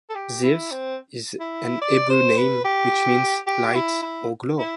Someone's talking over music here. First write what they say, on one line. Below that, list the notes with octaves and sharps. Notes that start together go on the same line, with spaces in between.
Ziv is a Hebrew name, which means "light" or "glow".
A4
G4
E4
C4
E4
D5
C5
B4
G4
G4
E4
E4
E4